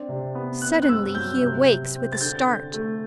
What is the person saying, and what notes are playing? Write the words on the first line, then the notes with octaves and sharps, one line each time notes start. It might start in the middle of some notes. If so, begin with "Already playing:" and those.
Suddenly he awakes with a start.
Already playing: C4 D4
C3
B3
C4 F#6
F#6
G2 E6
F#3 G6
C3
C3
C4
A6
D3 G6
D3
A3